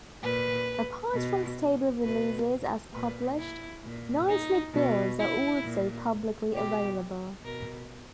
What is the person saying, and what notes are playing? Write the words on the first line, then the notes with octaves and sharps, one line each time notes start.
Apart from stable releases as published, nightly builds are also publicly available.
A#2 B4
B2
B2 B4
A#2 B4
E4
A#2
D#4
B2
E4
A#2
B2 G4
B2 A#4